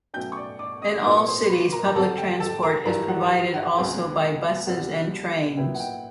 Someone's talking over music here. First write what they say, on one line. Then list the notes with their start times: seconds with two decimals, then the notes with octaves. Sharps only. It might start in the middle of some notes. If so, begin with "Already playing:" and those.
In all cities public transport is provided also by buses and trains.
0.14 B2 F#3 A3 C#4 G5 G6
0.32 C#6
0.37 D5 D6
0.59 D5 D6
0.82 D#5 D#6
1.04 A#2 F#3 B3 D#4 D5 D6
1.17 C#6
1.27 C5 C6
1.50 B4 B5
1.72 A#4 A#5
1.86 A#5
1.95 D3 G3 C4 A4 A5
2.18 G5
2.40 A4 A5
2.63 A#4 A#5
2.86 G2 E3 G3 A#4 A#5
3.08 F#5
3.54 F#5
3.76 C#2 B2 G#3 C4 F4
4.66 C2 B2 G3 C4 F4 F#5
5.57 A#2 F#3 B3 E4 G5
5.74 F#5
5.80 G5